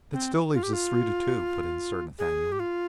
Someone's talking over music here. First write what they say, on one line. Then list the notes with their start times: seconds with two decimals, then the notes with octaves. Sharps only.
"That still leaves us three to two!" put in Sir Nathaniel.
0.13 C4
0.54 F4
0.63 G4
0.73 F4
2.19 G#4
2.52 G4
2.60 F4